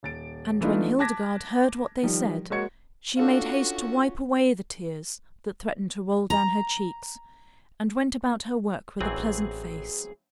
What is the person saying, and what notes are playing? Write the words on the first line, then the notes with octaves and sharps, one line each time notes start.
And when Hildegarde heard what they said she made haste to wipe away the tears that threatened to roll down her cheeks, and went about her work with a pleasant face.
D#1 A6 D7
E3 A3 B3 D4 D#4 F4
A5 D6 F#6 G#6 A#6 B6
D#3 F3 G3
G#3 A#3 F#4 C#5 G#6 C#7
C#4 D4 F4 F#4 A4 F5
A#5
A1 E3 F#3 C4 G#4 G#5